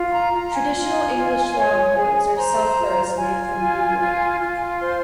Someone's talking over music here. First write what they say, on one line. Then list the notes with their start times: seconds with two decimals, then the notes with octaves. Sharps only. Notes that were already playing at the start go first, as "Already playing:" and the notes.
Traditional English longbows are self bows made from yew wood.
Already playing: F4
0.09 C6
0.14 A#5
0.34 F4 A#5
0.55 G#5
0.75 F4
1.16 F4
1.56 C#5
1.97 G#4
2.37 C5 A#5
2.77 F4
3.18 F4 G#5
3.59 F4
3.99 F4
4.39 F4
4.80 C5 C6